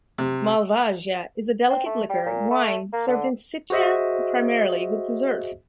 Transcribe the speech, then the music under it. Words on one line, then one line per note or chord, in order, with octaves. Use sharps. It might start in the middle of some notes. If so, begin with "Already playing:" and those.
Malvasia is a delicate liquor wine served in Sitges, primarily with dessert.
C3
C4
A3
G3
A#2
A3
A#3
D3
F#4 G#4 C5 D#5 E5